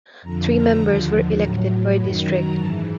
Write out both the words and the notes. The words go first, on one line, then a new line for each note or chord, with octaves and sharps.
Three members were elected per district.
F2 D3 F3 A#5
A#5
D#2 D3 F3
A2 F#3 A#5
F#2 D#3 F#3 B5
A#5
G#2 E3 A5